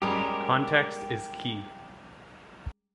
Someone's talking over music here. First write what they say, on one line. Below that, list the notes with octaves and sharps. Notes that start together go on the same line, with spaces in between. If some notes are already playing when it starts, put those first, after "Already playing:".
Context is key.
G3 G#3 C#4 G4 A#4